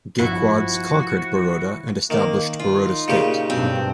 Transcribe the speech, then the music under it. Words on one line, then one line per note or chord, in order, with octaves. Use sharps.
Gaekwads conquered Baroda and established Baroda State.
G1 G2 F3 E4 F#4
D#3 A#3
D#4 F4
A#2 C#3 G4
B1 G2 B2 C4